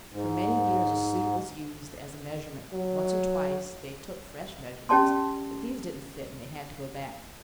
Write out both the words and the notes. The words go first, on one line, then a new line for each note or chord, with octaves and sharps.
For many years a suit was used as a measurement; once or twice they took fresh measurements, but these didn't fit and they had to go back.
G#2
F#3
C#4 G4 D5 A5 C6